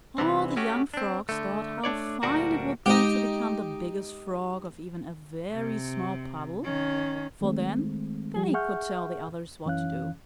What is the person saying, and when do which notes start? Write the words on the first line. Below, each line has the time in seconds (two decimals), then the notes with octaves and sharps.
All the young Frogs thought how fine it would be to become the Biggest Frog of even a very small puddle, for then they could tell the others what to do.
0.18 C3 E3 G3 B3 C4
0.56 A3 C#4 F#4 G4
0.94 C4 D4
1.29 D3 A3
1.84 A3 D4 C#5 D5
2.23 D2 A#2 G3 D4 F#4 A#4
2.86 G#3 D#4 G4
5.53 C3
6.64 D#3 C#4
7.41 D#3 G#3 A3 C4
8.36 F3 G3 G4
8.54 G#4 E5 F#5 C#6 F6 G6
9.65 F#2 E3 C#4 F5 F#6